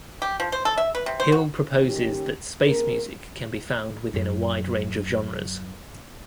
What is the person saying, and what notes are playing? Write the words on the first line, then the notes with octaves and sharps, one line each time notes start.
Hill proposes that space music can be found within a wide range of genres.
G4
F3
C5
A4
E5
B4
C3
C5
F#4
D#2 D#3 C#4 G4
A#3 C4 G#4 A#4
F#2 F#3